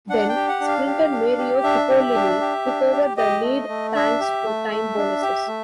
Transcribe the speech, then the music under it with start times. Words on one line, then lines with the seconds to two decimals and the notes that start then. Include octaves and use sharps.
Then, sprinter Mario Cipollini took over the lead thanks to time bonuses.
0.10 D4 F#5
0.29 G5
0.35 G4
0.49 F#5
0.61 D4
0.68 F5
0.87 G4
1.12 D4
1.38 G4
1.64 D4 E5
1.89 G4
2.15 D4
2.41 G4
2.66 D4
2.92 G4
3.17 G4 D#5
3.42 A3
3.68 A3
3.94 D4 E5
4.20 G4
4.45 A3
4.71 A3
4.97 D4
5.22 G4
5.48 A3